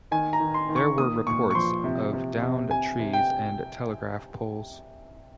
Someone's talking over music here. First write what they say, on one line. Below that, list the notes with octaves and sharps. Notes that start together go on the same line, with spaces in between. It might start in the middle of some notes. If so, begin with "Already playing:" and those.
There were reports of downed trees and telegraph poles.
D#3 G#5
A#5
D#3
C6
D#3
C#6
A#3 D#6
A#2 C#6
C#6
F3 C6
C3
C3
C3
C3 G#5
C3
G5